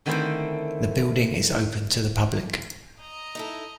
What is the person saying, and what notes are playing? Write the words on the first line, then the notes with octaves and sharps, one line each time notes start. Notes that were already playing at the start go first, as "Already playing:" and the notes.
The building is open to the public.
D3 D#3 A3 C4 E4 C5
D#5 A#5
D#4 E4 A4